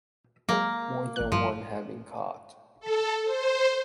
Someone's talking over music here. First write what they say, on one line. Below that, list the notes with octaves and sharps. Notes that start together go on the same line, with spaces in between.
More than one had been caught.
F#3 G#3 A#3
A1 F#6
G2 F3
A4
C5